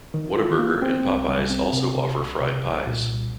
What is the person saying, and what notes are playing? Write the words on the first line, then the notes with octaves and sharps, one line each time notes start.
Whataburger and Popeyes also offer fried pies.
D#3
F4
A#3
C4
C2
C2
C4
C3
C3
C2
C3
C2
A#2
C2